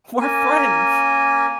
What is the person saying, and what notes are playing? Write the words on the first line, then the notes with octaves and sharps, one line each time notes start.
We're friends.
A#3 C#4 A#4 G#5